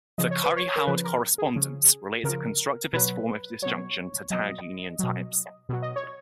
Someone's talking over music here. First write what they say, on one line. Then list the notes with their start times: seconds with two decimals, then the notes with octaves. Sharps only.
The Curry-Howard correspondence relates a constructivist form of disjunction to tagged union types.
0.18 C#3 F3 D#5
0.31 C#5
0.44 B4
0.56 C#5
0.76 A#4
0.86 C#3 F3 B4
1.04 A#4
1.38 G#4
1.55 C#3 F3
2.24 C#3 F3 A#4
2.93 B2 F#3 B4
3.62 B2 F#3 C#5
4.30 B2 F#3 D#5
4.99 B2 F#3
5.69 B2 F#3
5.82 D#5
5.96 C#5